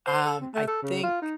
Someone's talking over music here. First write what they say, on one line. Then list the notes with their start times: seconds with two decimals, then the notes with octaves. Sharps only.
i um, I think
0.07 C5
0.26 A4
0.40 C4
0.54 A3
0.68 A4
0.83 C#3
1.03 F4
1.22 D#4